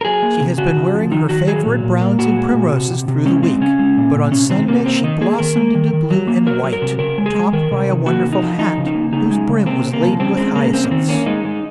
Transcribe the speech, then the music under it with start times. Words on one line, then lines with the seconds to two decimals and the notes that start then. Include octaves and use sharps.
She has been wearing her favourite browns and primroses through the week, but on Sunday she blossomed into blue and white, topped by a wonderful hat, whose brim was laden with hyacinths.
0.01 A#4
0.05 F#3 G#4
0.23 A#3
0.40 C3
0.58 C#3 F#4
0.77 C#3
0.94 F3
1.12 D#3 D#4
1.29 D#3 F#4
1.47 F#3 G#4
1.66 A#2
1.83 A#2
2.01 A#3
2.18 A#2 F#4
2.37 G#3
2.54 A#2
2.72 C3
2.90 C3
3.08 C3
3.26 G#3 C#4
3.43 G#3 C4
3.61 C#3 C#4
3.79 G#3
3.97 A#2
4.15 A#2
4.32 C3 C#4
4.50 D#3 C4
4.68 C3 A#3
4.86 A#3 C4
5.04 D#3 D#4
5.21 A#3 G#4
5.39 D#3 A#4
5.57 A#3
5.75 D#3
5.93 D#3
6.11 F#3
6.28 A#3
6.46 F#3 A#4
6.64 F#3
6.73 A#4
6.82 C3
6.99 C#3 A#4
7.18 G#3
7.26 G#4
7.35 G#3
7.52 D#3 A#4
7.71 C3
7.89 D#3
8.06 A#3 F#4
8.24 C3
8.33 D#4
8.42 F3
8.59 F3 D#4
8.78 C#3
8.87 D#4
8.95 A#3
9.13 C#3 D#4
9.31 G#3
9.49 C#3
9.66 A#3 C4
9.84 C3
9.93 A#3
10.02 F3
10.20 C#3 C4
10.37 G#3 C4
10.55 C#3 A#3
10.73 A#3 C4
10.84 A#3
10.91 D#3 C4
11.08 A#3 C#4
11.26 G#3 D#4
11.45 G#3